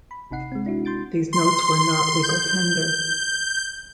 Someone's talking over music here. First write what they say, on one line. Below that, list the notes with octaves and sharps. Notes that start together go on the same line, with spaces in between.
These notes were not legal tender.
B5
G#1 C3 D#4 F#5 C7
G#3 C4
D4 E4 F#4
C6 G6 A6 D7
C6
G6